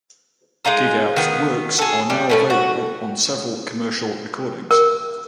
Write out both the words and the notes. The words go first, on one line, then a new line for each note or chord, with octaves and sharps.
Gigout's works are now available on several commercial recordings.
G#3 D#4 F4 A#5
D#3 B3
G#4 A4
G3
B2 A3 C#4
F#4
A#4